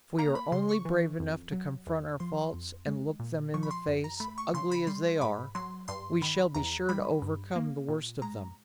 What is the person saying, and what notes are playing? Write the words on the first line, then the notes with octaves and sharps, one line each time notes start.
If we are only brave enough to confront our faults and look them in the face, ugly as they are, we shall be sure to overcome the worst of them.
A#3 A#5
B5
C#3 C6
C#6
E3
F2
F#3
E2
F3 C6
F2
G#3
A#2
F3 C#6
B5
C6
F#2
A#5
A3 B5
C#6
C#3 C6
B5
G3 C6
G#2 B5
F#3 C6
G2 C6
D#3 B5
E2 A#5
G3 B5
G2
A#3
A#2
G#3 A#5